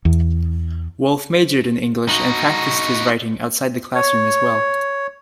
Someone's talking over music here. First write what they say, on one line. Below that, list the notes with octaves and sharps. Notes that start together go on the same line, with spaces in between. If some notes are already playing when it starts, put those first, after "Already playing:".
Wolfe majored in English and practiced his writing outside the classroom as well.
E2
D#4 F#4
C#5